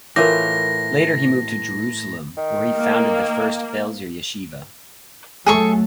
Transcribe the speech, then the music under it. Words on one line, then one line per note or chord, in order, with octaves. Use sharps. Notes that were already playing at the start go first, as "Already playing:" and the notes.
Later he moved to Jerusalem, where he founded the first Belzer yeshiva.
A2 E3 F4 A#4 C#5 D6 A#6
D#3
A#3
F#3 A3 G#4 A4 C#6